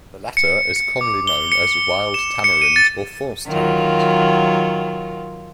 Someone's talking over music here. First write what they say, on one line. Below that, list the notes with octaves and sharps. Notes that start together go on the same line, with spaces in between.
The latter is commonly known as 'wild tamarind' or 'false tamarind'.
C#7
C#7
D6
G7
C#7
E7
C#7
D#7
A6
D#3 F#3 F4